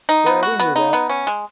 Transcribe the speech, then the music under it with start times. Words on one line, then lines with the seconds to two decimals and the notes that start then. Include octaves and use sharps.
Well, we knew that.
0.09 D#4
0.26 B3
0.43 F#4
0.60 B3
0.76 D#4
0.93 B3
1.10 C#4
1.27 G#3